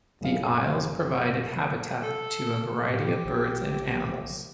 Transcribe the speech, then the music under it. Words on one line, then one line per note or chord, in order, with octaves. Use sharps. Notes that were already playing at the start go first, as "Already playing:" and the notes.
The isles provided habitat to a variety of birds and animals.
F#1 C#3 G#4 F5
A4
A2 G4
A#1